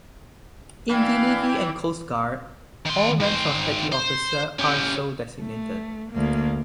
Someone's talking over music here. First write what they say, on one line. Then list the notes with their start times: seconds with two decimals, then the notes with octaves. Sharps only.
In the Navy and Coast Guard, all ranks of petty officer are so designated.
0.90 E3 D4 F5 G5 G#6
2.85 D#3 C6
3.20 D#3 C5
3.92 C5
4.59 C#4 G4
5.41 A3
6.13 D2 A#3